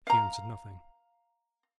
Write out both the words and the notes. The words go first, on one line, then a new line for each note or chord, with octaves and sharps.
She answered nothing.
F5 A#5